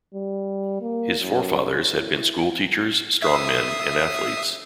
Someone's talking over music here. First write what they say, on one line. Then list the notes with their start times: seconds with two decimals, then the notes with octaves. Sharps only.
His fore fathers had been school-teachers, strong men and athletes.
0.14 G3
0.81 A#3
1.20 F#2
1.88 E4
3.22 E5 D#6 C7